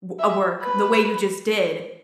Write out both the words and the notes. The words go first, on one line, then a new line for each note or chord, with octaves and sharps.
w a work the way you just did,
E5
B4